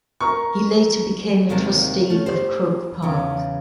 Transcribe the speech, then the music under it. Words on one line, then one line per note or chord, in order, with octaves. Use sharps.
He later became a trustee of Croke Park.
A#4 C#6
D#2 C3 D#3 G#3 A#3 A5
A3 C#4
G4 C5
E2 C#3